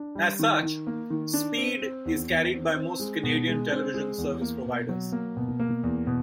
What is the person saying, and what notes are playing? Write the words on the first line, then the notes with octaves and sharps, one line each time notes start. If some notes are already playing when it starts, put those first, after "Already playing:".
As such, Speed is carried by most Canadian television service providers.
Already playing: D4
G3
D#3
D#3
A#3
D#3
D4
C4
C4
E2
E2
C4
C4
G#3
B2
G#3
C4
G#3
E2
A#3
B2
F#3
A#3
B2
A#3
E2
B2